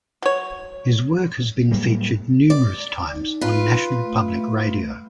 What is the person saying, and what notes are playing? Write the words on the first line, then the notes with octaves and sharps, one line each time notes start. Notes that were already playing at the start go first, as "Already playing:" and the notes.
His work has been featured numerous times on National Public Radio.
F#3 C#5
A2 F#3 G3 A#3
D5
D#4
F4 B4
A3